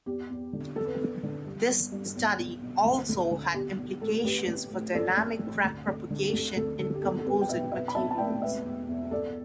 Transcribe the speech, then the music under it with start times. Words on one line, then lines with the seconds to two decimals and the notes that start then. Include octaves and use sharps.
This study also had implications for dynamic crack propagation in composite materials.
0.06 E2 G4
0.30 E2
0.53 D3
0.76 E2 A4
0.85 B4
0.95 A4
1.00 E2
1.23 D3
1.46 G3
1.69 G1
1.92 G2
2.16 B1
2.39 B1
2.62 B2
2.85 D2
3.09 D2
3.31 D3
3.54 B1 G4
3.78 B1
4.01 A2 A4
4.24 A1 G4 B4
4.47 A1
4.70 A2
4.94 A1 A4 D5
5.17 A1
5.40 A2
5.64 D2
5.87 D2
6.10 D3
6.29 G4
6.33 D2 A4
6.57 D2 A4
6.79 D3 A4
6.94 G4
7.02 B1 A4
7.18 A4
7.26 B1 G4 B4
7.42 G5
7.49 B2 B4 E5
7.72 B1 B4 E5
7.88 B5
7.95 B1 E5 A5
8.11 A5
8.18 A2 D5 G5
8.42 E1 B4 E5
8.65 E1
8.89 E2
9.11 A1 A4 D5